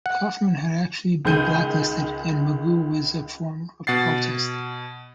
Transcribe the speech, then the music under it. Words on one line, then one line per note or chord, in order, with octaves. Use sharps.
Kaufman had actually been blacklisted, and Magoo was a form of protest.
F#5
C#2 D#3 G#4 G6 D#7
B2 F#5 A6 C7